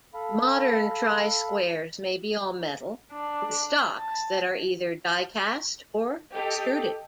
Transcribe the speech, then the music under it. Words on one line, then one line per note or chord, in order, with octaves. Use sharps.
Modern try squares may be all-metal, with stocks that are either die-cast or extruded.
A4 F5 B5
D4
A5
G4 A4 D#5